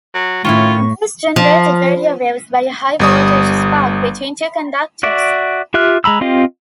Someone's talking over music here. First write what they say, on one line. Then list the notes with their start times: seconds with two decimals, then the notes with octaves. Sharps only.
These generated radio waves by a high voltage spark between two conductors.
0.14 F#3
0.44 A2 D#3 C#4 E4 F4 C#6
1.36 F3
3.00 G1 G3 D#6
5.03 F#4 D5 E5
5.74 F4 G4 E5 F6 F#6
6.04 G#3 A#5 B5 E6
6.21 C4 F4 G4 D#5 F5